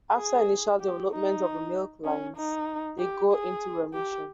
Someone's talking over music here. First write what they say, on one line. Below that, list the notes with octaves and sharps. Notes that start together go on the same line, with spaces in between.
After initial development of the milk lines they go into remission.
G#4
G4
D#4
C#4
D#4
G4
G#4
G4